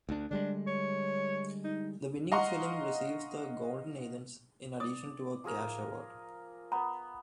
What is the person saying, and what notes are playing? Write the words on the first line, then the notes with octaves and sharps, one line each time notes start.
The winning film receives the Golden Athens in addition to a cash award.
D2 D4
D3 G3 G#3 D4
C#5
D#4
D#5 F5 F#5 A#5 C6 C#6
D5 D#6
F3 G#4 A#4
B3 A#5